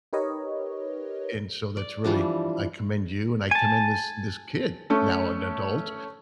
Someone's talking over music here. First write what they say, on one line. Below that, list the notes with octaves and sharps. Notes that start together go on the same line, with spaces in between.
and and so that's really I commend you and I commend this this kid, now an adult,
D#4 G4 A#4 B4 C#5 D#5
D5
E3 F3 G3 D4
G#5 A5
A3 C#4